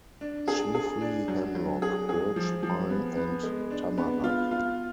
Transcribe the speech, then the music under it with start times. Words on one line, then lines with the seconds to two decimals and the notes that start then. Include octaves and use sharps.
Chiefly Hemlock Birch Pine and Tamarac.
0.21 D4
0.48 G#4
0.75 G#4
1.01 D4
1.28 F#3
1.55 F#3
1.82 G#4
2.09 G#4
2.36 F3
2.63 F3
2.90 B3
3.17 B3
3.43 G#3
3.71 D4
3.98 B3
4.24 F4
4.51 F4